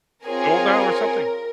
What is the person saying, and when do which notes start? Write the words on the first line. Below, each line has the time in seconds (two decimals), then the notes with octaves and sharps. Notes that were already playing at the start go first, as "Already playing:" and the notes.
old now or something.
0.24 C4 F4 G#4 A#4 C#5 G#5